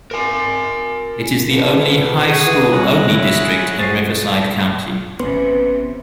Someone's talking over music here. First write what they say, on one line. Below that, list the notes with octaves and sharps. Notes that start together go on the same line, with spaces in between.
It is the only high school-only district in Riverside County.
A#4 G#5
F2 A#3 B3
F#4 G#4
E3
C2 G#3 C#4 F#5
E4
F#4 G#4 C5 A6 C7
G#1 C3 E3 B3 C#4 B4 C6